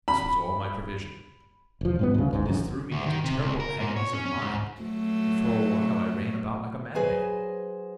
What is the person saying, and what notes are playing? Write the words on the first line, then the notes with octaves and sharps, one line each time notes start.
This was all my provision; and this threw me into terrible agonies of mind, that for a while I ran about like a madman.
B5
E1 F3
G#2 G3 B3
D2 C#3
F#1 C#2 G#2
A1 F#2
D2
D#3
C3
C#2
A#4
G#2
C#5
C#4
C#4
G#2
F#3 A3
F#3 G#4 B4 C5 D#5 G#5